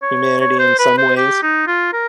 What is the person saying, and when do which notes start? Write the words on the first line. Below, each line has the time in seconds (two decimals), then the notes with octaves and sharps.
humanity in some ways,
0.03 C#5
0.41 C#5
0.59 C5
0.79 B4
0.98 C5
1.17 G4
1.42 D#4
1.67 F4
1.93 A#4